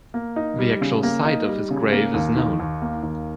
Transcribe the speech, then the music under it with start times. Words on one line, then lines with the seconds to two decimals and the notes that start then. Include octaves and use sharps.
The actual site of his grave is known.
0.14 A#3
0.36 D#4
0.59 G3
0.81 C#3
1.03 A#3
1.25 D#4
1.48 G3
1.70 C#3
1.92 A#3
2.14 D#2
2.37 D#3
2.60 D#2
2.82 A#3
3.03 D#2